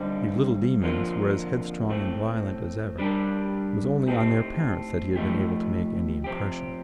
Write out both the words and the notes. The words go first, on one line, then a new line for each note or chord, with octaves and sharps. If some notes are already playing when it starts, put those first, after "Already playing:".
The "little demons" were as headstrong and violent as ever; it was only on their parents that he had been able to make any impression.
Already playing: G2 D3 G3 C4 D#4
F2 D3 F3 A#3 F4
A2 A3 C4
G3 D4 G4 A#4
A2 A3 C4 D#4 G4
F3 A3 D#4 G4
F2 C3 F3 C4 G4